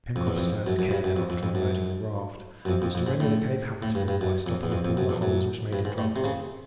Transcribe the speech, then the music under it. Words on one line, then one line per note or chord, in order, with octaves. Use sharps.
Pencroft's first care, after unloading the raft, was to render the cave habitable by stopping up all the holes which made it draughty.
F2
E2
F2
F#2
F#2
G2
F#2
F2
F2
F2
F#2
F#2
F2
F2
F2
G#2
A2
A2
G2
G2
F#2
F2
E2
F2
F2
F#2
E2
F#2
G2
G#2
A2
C3
C#3